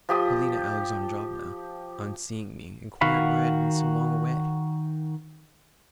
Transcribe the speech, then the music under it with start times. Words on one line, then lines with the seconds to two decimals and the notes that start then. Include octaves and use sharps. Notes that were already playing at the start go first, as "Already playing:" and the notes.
Polina Alexandrovna, on seeing me, inquired why I had been so long away.
0.09 F3 G4 D#6
3.01 D#3 F#4 F5 F#5 B5